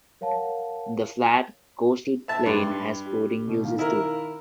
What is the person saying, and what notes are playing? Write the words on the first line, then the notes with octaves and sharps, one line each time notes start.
The flat coastal plain had sporting uses too.
A#4 C#5 F5 F#5 A5
E5 A5
G2 B5 C6
G4
B2
D#3 F5
E4 A#4